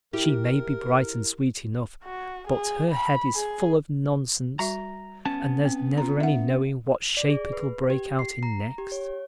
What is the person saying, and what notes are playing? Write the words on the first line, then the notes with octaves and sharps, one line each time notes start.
She may be bright and sweet enough, but her head is full of nonsense and there's never any knowing what shape it'll break out in next.
E4 G4 A#4
F#4
G#4
B5
G#4
G3 F#4 E5 A#5
B3 C#4 A5
C4
F4 A#5
E5 F#5
D5
G#4
B4
G4
C7
A#5
G4
C#5